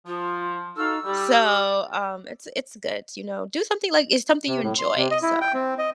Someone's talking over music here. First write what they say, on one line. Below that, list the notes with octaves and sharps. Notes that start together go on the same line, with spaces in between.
So, um, it's it's good, you know? Do something, like, it's something you enjoy, so
F3 F4
D#4 F#4 A4 F5 E6
G3 G4
D5
C3
A2
C6
C3
D#5
E4
G5
C4
D#5